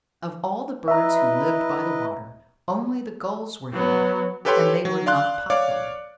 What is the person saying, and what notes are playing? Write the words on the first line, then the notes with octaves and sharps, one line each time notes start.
Of all the birds who lived by the water, only the Gulls were there, and they were not popular.
E4 B4 D#5 E5 A#5
F#3 B3
G4 A4 B4 C#5 G5 C6
F#3
D5 F5 C6 F#6
C#5 D5 F5 D6